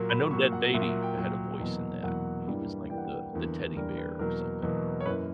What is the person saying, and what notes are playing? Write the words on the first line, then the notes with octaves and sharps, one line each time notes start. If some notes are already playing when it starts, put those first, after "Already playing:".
I know Ned Beatty had a voice in that. He was like the the teddy bear or something.
Already playing: A#2 F#3 A#3
B5
A#2 F#3 A#3 C#6
F#5
A#2 F#3 A#3 E5
F#5
E5
G5
A#2 F#3 A#3
E2 B2 F#3 A#3
E2 B2 F#3 A#3 F#5
G2 E3 G3 A#3
G2 E3 G3 A#3 G5
F#5
G5
E2 D3 G3 A#3
E2 D3 G3 A#3 A#4
B4
E2 B2 F#3 A#3 A#4
E2 B2 F#3 A#3
C#5
F#2 E3 A#3 B4